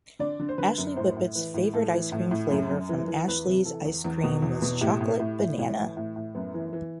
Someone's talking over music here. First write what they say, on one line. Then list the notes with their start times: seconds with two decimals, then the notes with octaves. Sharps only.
Ashley Whippet's favorite ice cream flavor from Ashley's Ice Cream was chocolate banana.
0.19 D3 D5
0.39 D3
0.49 C5
0.58 D3 B4
0.78 F#2
0.96 A2 C5
1.17 A2
1.35 E3 B4
1.54 A2
1.73 A2 A4
1.93 E3
2.12 A2
2.31 A2
2.51 F#2
2.70 F#2
2.89 E3
3.08 E3
3.28 E2 B4
3.47 C3
3.65 E3 A4
3.85 E2
4.05 E2
4.24 B2
4.42 E2
4.62 B2
4.81 A2 G4
5.01 A2
5.20 A2
5.39 A2
5.58 A2 E4
5.77 E3
5.97 A2
6.16 A2
6.35 F#2 B3
6.54 E3
6.73 E3